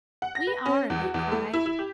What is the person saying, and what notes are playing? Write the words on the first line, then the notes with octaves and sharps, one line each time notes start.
"We are!" they cried.
F#5
A#6
B4
C#4
E2
F#4
E2
A3
E4
E4
G4